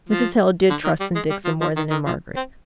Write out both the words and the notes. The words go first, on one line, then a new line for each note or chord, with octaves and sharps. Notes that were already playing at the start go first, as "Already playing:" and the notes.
Mrs. Hale did trust in Dixon more than in Margaret.
F3
D3
D#3
G3
G#3
G3
F3
F3
D#3
D#3
F3
C4